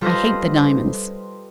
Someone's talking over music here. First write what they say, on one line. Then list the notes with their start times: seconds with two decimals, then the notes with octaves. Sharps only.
I hate the diamonds.
0.01 G3 F4 A4 B4 C5 D#5